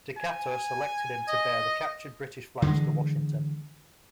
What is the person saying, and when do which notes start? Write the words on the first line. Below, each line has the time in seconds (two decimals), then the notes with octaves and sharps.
Decatur selected him to bear the captured British flags to Washington.
0.17 G#5
1.29 D#5
2.62 D3 E3 G#3